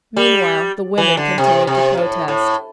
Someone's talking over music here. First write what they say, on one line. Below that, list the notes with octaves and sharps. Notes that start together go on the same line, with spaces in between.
Meanwhile the women continued to protest.
G3
E3
D3
C3
C3
A2
A2